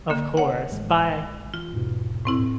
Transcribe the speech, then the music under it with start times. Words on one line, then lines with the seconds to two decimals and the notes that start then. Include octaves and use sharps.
Of course. Bye.
0.10 D3 A#3
0.37 C#5 F#5
0.72 A1 G#3
1.54 E3 F4
1.73 E2 G#2 B2
2.25 A2 C4 E4